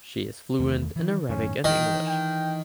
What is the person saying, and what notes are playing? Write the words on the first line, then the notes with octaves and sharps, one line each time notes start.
She is fluent in Arabic and English.
E2 D#3 A3
D#3 E3
F#2 A2 D#3 C#4
D#3 E3 G5
G5